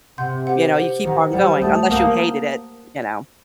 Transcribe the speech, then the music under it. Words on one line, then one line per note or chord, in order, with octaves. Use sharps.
you know, you keep on going unless you hated it, you know?
C3 F#5 C6 G6
G4 C5 F#5
G4 C5 F#5
D#3 G4 C5 F#5
G3 G4 C5 F#5
A3 F#5 A5 D#6 G6
A#3 F#5 A5 D#6 G6